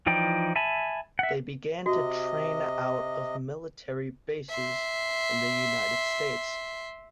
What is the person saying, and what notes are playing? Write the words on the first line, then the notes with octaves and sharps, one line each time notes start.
They began to train out of military bases in the United States.
E3 F3 D#4 D5 G5
E5 G#5 A5 B5
E5 F#5
C3 F#4 D#5
E5 C6